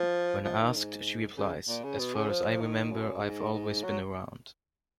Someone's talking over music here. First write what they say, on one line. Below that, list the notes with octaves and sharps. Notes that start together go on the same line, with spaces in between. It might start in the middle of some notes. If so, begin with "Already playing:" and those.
When asked, she replies, As far as I remember, I've always been around.
Already playing: F3
F3
D#3
G#2
C#3
A#2
C#3
B2
C#3
F3
D#3
F#2
G#2
G#2
F#3